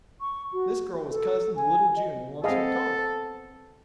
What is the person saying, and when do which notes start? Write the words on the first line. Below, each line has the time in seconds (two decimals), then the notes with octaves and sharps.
This girl was cousin to little June in Lonesome Cove.
0.21 C#6
0.53 F#4
1.10 A4
1.56 G#5
1.96 D#5
2.44 B3 C4 G#4 A4 D#5 F5